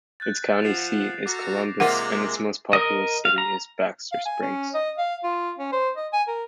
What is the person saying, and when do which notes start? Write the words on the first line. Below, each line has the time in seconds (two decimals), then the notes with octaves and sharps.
Its county seat is Columbus, and its most populous city is Baxter Springs.
0.20 F#6 G6 A6
0.62 F3 F#5 C7 E7 F7
1.26 F#4 A4 A#5 D6 A#6
1.80 C3 G#3 A#3 F4 A#4 F#5
2.73 A#4 D#5
3.25 F5
3.38 A#5
4.12 F5
4.26 G#5
4.42 C#4
4.74 D#5
4.98 F5
5.24 F4
5.59 C#4
5.72 C5
5.96 D#5
6.13 G#5
6.28 A#4